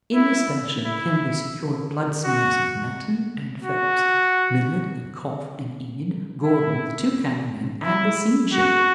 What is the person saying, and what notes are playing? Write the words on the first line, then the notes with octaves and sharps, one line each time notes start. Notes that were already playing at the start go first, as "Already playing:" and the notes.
In this fashion Kennedy secured blood smears of Manton and Phelps, Millard and Kauf and Enid, Gordon, the two camera men, and a scene shifter.
E4
E4
F#4
F#4
E4
E4
F#4